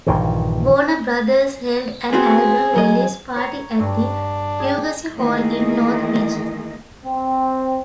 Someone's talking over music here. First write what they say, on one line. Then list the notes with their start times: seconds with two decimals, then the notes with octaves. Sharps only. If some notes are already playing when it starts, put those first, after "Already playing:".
Warner Brothers held an album release party at the Fugazi Hall in North Beach.
0.06 A#1 G2 D#3 E3
2.13 B3 C4 F#4 G#4
2.74 B1 F#3 D#5
3.36 C#5 A#5
3.80 G2 D4
4.60 G#4 G5
5.16 D#3 E3 A3 A#3 G#4 D#5
7.04 C4